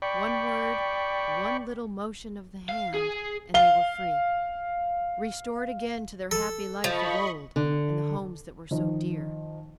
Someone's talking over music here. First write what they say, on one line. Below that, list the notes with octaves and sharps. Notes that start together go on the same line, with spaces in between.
One word, one little motion of the hand, and they were free, restored again to their happy life of old and the homes that were so dear.
D5 G5 B5 C#6
F5
G#4
F5 G7
A4
F3 D#5 B5 C#6
D3
D#3 F3 D#4